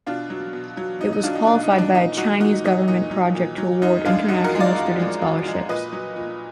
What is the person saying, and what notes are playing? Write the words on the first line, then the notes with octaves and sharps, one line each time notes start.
It was qualified by a Chinese government project to award international student scholarships.
B2 D4 F4
F#3
B2
F#3
B2 D#4
D#4
F#3 D4 F4
D#4
B2 D4
D#4
F#3
D4
A#2 D#4
F#3 D#4 F#4
A#2 D#4 F#4
F#3 D#4
A#2 D#4
F#3
A#2
F#3
F#2 D#4
F3 G#3 D4 F4
F#2 D#4 F#4
F#4 A#4
F3 G#3
D5 F5
F#2
F3 G#3
F#2
F3 G#3
A#2 B4 D#5
F#3
A#2